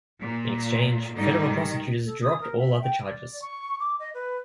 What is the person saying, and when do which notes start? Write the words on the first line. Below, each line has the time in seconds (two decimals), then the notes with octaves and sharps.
In exchange, federal prosecutors dropped all other charges.
0.20 A#2
1.16 G#2 D3 G3 A3 D#4
1.47 D#3
2.06 A4
2.22 D#6
2.41 A#4
2.59 E5
2.82 G5
3.06 D5
3.42 C#6
3.80 D6
3.99 D#5
4.14 B4